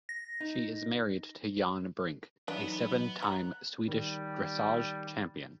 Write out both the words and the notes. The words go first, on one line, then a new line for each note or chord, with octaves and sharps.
She is married to Jan Brink, a seven-time Swedish dressage champion.
A#6
D#4
E3 F#3 B3 D4 D#4 B4
A#5 F#6
D#3 G3